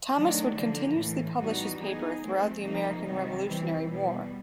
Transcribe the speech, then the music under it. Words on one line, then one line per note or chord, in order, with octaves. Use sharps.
Thomas would continuously publish his paper throughout the American Revolutionary War.
D#3 F#3 A3 D4
D3 F3 A#3
A2 E3 A3
E3 G3 B3 D#4 F#4
B3 D#4 G#4
F3 A3 C4
C3 F3 A#3 D#4
C3 D#3 G3
C3 E3 G3 C4
B2 G3 B3